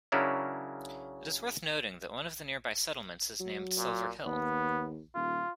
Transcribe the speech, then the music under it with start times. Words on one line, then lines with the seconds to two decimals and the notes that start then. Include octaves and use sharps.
It is worth noting that one of the nearby settlements is named Silver Hill.
0.12 C#3 F#3 C#4 D4 E4 A#4
3.40 F#3
3.78 A#2
4.25 D#2 B3
5.15 D#1 F4